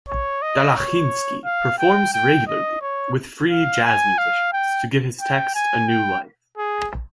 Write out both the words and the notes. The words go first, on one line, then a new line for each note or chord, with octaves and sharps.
Dalachinsky performs regurarly with free-jazz musicians to give his text a new life.
C#5
D#5
C#5
F5
G5
G5
D#5
C#5
F5
G#5
F5
G5
G5
G#5
G5
G#4